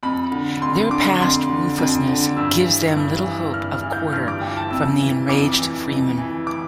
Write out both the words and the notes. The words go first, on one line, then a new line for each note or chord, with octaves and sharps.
Their past ruthlessness gives them little hope of quarter from the enraged Fremen.
F2 B5
D3
F2 C6
D3 D6
F2 C6
D3
F2
D3
G2 E6
E3
G2
E3
G2 F6
F6
E3
G6
G2 F6
D6
E3 G5
A5
F2 E6
E3
F2 D6
E3
F2
E3
D6